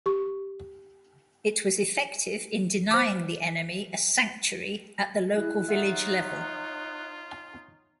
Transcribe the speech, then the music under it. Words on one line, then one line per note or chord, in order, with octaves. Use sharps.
It was effective in denying the enemy a sanctuary at the local village level.
G4 C#6
C5 D6
E4 G#4 F#6
D#4 F4 C#5 E5 F#5